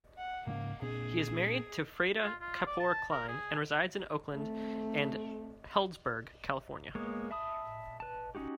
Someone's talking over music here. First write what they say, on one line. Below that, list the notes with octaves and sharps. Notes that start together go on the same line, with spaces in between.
He is married to Freada Kapor Klein and resides in Oakland and Healdsburg, California.
F#5
G#2 C#3 A#3
A#2 C4 D4 G#4
F4
F4
D5
A5
A#4
G#4
A3 C4
G#3 A#3 B3 C#5
E5 A5 B5 D#6
B4 A5
C#4 D#4 F#4 G4